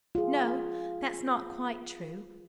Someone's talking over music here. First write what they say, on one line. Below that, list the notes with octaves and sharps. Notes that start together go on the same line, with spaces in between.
No! that's not quite true.
F4 G#4